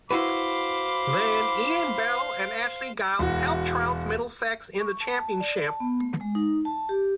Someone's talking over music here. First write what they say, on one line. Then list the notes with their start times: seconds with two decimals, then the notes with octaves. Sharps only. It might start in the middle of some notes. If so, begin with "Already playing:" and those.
Then Ian Bell and Ashley Giles helped trounce Middlesex in the Championship.
0.11 E4 F#4 B4 C5 F5 B5 D6
3.19 E1 F#4
4.80 C#6
5.01 A5
5.20 A5
5.40 D5
5.67 A5
5.80 B3
6.01 A3
6.21 G#3
6.35 D#4
6.65 A5
6.89 G4